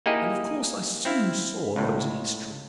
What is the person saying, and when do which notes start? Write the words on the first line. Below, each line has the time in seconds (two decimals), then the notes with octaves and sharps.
And of course I soon saw there was a history.
0.06 A#3 D#4 E4 G4 G#4 D#5
1.05 C4 E4 F5
1.76 C#2 A2